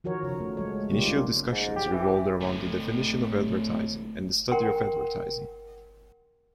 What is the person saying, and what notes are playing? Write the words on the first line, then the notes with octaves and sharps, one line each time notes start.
Initial discussions revolved around the definition of advertising and the study of advertising.
D#3 F3 F#4 A#4 C#5
C#3
A3
F#3 G#3 C#5
C#3 G3 A#3 D#4 F4 G4
C#4 F4
G#2
G4
E3
D2 A2
A#4 F#5 G5 C6